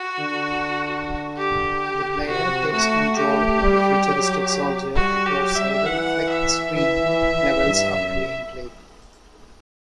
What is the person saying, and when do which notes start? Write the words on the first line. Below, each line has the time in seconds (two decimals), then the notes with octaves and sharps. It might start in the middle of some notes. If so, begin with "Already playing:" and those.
The player takes control of a futuristic soldier across several flick-screen levels of gameplay.
Already playing: F#4
0.19 D3
1.38 G4
2.27 C3 F#4
2.72 A3 F#4
3.17 A3 G4
3.61 G3
4.06 F#3
4.96 G3 F#4
5.26 F#3 G4
5.55 G3 E5
5.85 E3 F#5
6.30 E5
6.75 E3 E5
7.05 E3
7.34 E3
7.64 G2
7.94 F#2